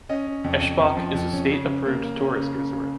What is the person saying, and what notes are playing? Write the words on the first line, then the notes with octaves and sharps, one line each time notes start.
Eschbach is a state-approved tourist resort.
C#4 D#5
C#4
F2
F2
F2
F3
F2
C#4
C#3
C#3
A#3
A#3
C#4
C#3
C#3
C#3